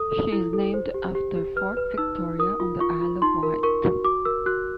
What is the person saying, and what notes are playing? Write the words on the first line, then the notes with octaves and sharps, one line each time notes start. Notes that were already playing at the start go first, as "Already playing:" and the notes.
She is named after Fort Victoria on the Isle of Wight.
Already playing: A4 D#6
A4
E4
A4
C5
G4
G4
G4
B4 F6
B4
D#4 E6
D#4
A#4 D#6
F4
F4 C#6
F4
D#4 C6
A#4
A#4 C#6
F#4
F#4 D6
A#4 E6
F#4 F#6